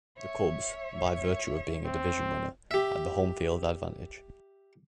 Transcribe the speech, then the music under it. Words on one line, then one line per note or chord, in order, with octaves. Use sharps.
The Cubs, by virtue of being a division winner, had the home field advantage.
C#5 E5
C4
G4 E5